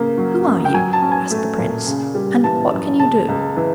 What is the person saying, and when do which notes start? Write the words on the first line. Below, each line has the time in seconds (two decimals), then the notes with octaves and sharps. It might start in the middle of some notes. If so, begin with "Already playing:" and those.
'Who are you?' asked the prince, 'and what can you do?'
Already playing: C#3 A#3
0.18 F#3
0.46 F#2
0.65 G5
0.74 F#3 G#5
0.93 A5
1.02 C#4
1.12 G#5
1.30 A3
1.59 A#2
1.87 C#3
2.15 G3
2.44 E3 A5
2.71 F#2
2.99 C#3 A5
3.28 C#2
3.57 E3